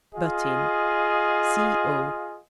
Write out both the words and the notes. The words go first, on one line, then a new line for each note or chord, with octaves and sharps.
Butt in. C.o.
F4 G#4 D#5